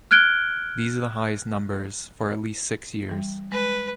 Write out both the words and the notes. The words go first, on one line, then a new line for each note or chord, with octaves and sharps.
These are the highest numbers for at least six years.
F6 F#6 G#6 D7 G7
E3 G3
G#3 B4